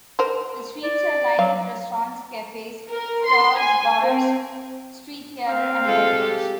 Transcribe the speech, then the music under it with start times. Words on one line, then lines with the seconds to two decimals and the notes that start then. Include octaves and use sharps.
The streets are lined with restaurants, cafes, stalls, bars, street theater and parades.
0.19 A#4 C5
0.83 D5
1.39 F#3 F5
2.89 A#4
3.25 C6
3.57 G#5
4.04 C4
5.47 C4 F5
5.85 G#3 F4 A4
6.19 G4